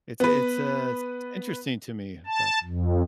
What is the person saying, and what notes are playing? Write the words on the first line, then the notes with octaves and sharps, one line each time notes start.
It's a it's a s interesting to me, but
B3 B4
A5
F2